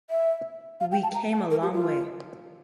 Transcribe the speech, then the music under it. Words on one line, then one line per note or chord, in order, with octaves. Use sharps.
We came a long way.
E5
F5
G5
A5
A#5
A5
A#4
G4
F4